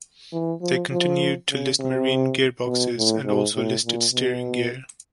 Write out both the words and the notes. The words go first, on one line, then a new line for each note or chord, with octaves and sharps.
They continued to list marine gearboxes and also listed steering gear.
E3
F3
F3
C#3
C3
B2
A2
G#2
A2
A#2
B2